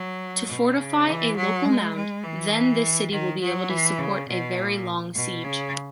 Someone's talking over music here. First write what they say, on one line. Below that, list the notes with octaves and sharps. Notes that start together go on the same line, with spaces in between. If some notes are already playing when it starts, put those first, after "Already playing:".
To fortify a local mound, then this city will be able to support a very long siege.
Already playing: F#3
B2
C#3
E3
F#3
G#3
G#3
E3
D#3
F#3
E3
C#3
B2
A#2
B2
C#3